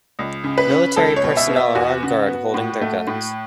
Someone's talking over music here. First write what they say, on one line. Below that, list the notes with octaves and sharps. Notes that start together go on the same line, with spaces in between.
Military personnel are on guard holding their guns.
C#2
C#3
B4
C#4
C#2 A4
C#5
B2
E5
B3
E5
E2 F#4
C#3
B3
A2
A3
A2